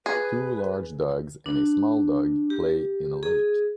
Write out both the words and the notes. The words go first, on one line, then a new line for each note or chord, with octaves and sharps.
Two large dogs and a small dog play in a lake.
G#4 B4
D4
G4
G#4